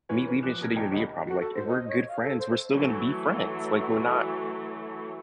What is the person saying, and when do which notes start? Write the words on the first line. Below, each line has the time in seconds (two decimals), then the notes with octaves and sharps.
me leaving shouldn't even be a problem, like, if we're good friends, we're still gonna be friends, like, we're not
0.09 E3 F4 B4 C#5 G#5
0.26 A#4 B4
0.43 F3 D6 F#6 E7
0.61 B2 A#4 G#6 A#6
0.76 E2 A#2 D#5 G5 A5 A#5
0.91 G1 D2 G4 D#5 B5
1.28 F#4
1.40 A4
1.55 C5
1.68 D#5
1.88 C#5
2.08 F5
2.23 A4
2.39 C5
2.73 E3 F#3 A3